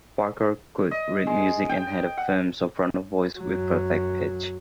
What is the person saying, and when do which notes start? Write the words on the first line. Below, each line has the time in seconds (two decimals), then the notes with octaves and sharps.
Parker could read music and had a firm soprano voice with perfect pitch.
0.91 D#5
1.27 G#3
1.69 G5
2.17 F#5
3.39 F#2 F#3